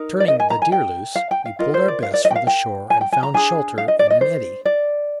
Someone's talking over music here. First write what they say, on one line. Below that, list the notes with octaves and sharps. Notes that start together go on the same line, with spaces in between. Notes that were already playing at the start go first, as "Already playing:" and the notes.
Turning the deer loose, we pulled our best for the shore, and found shelter in an eddy.
Already playing: D#4 A#4
D5
D#5
G#5
A#5
G#5
G5
F5
G5
F5
F4 A#4 D#5
C5
D5
F5
D5
D#5
G5
F5
G5
G#5
G5
G#5
A#5
D4 G#4 G#5
F5
D#5
D5
D#5
C5
D5